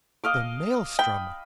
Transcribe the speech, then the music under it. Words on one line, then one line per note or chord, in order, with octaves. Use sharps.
The Maelstrom!
D#5 F5 D6
G5 B5